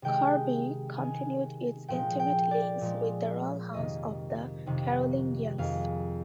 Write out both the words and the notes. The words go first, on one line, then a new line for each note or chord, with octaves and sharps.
Corbie continued its intimate links with the royal house of the Carolingians.
C3 D#3 G#3 G5
C3 D#3 G#3 G#5
A#2 F3 G#3 G5
G5
D5
A#2 F3 G#3
F2 C3 D#3 D#5
F2 C3 D#3
F2 D#3 G#3 F5